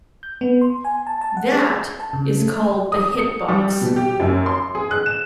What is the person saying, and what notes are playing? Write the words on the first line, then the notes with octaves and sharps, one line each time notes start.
That is called the Hit Box.
G6
B3
C6
G#5
A5
A5
F#5
G#4
A5
C#3
A3
D#6
C#7
G3
B2
G4
F#2
C6
G#4
F#6
E7